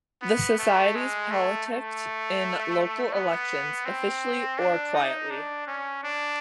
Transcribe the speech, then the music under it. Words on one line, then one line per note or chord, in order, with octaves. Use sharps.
The societies politicked in local elections officially or quietly.
B3
A3
G#3
A3
A3
B3
C4
D4
D#4
D4
C#4
D4